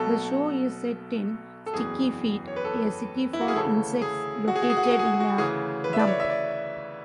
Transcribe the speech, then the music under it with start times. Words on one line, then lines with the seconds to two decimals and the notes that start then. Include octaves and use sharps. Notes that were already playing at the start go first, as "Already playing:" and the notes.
The show is set in Stickyfeet, a city for insects located in a dump.
Already playing: B1 B2 A4
1.66 A4
1.74 F#1 E2 B2 G#4
2.47 C#5
2.56 B4
2.65 A4
3.33 E4
3.41 F#4
3.48 G#4
3.56 D2 C#3 E3 A4
4.02 G#4
4.48 F#4
4.55 G#4
4.62 F#4
4.70 G#4
4.77 F#4
4.83 G#4
4.91 F#4
4.99 G#4
5.06 F#4
5.14 G#4
5.20 F#4
5.38 D2 C#3 E3 G#4
5.84 B4
5.93 E5
5.99 D5
6.07 C#5
6.20 E5
6.30 D5